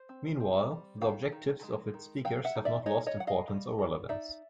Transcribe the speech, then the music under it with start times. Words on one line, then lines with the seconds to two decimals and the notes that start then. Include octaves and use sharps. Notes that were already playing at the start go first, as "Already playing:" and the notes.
Meanwhile, the objectives of its speakers have not lost importance or relevance.
Already playing: C5
0.09 C4
0.40 C4
0.71 G3
1.01 D#3 F5 G5
1.32 D#3
1.63 G#3
1.94 D#3
2.25 F#3 F5 G5
2.45 E5 F#5
2.55 D#4
2.65 D5 E5
2.86 D#4 C#5 D#5
3.07 C#5 D#5
3.17 F#3 F#5
3.27 D#5 F5
3.48 G3
3.79 G3
4.09 D#4 D5 E5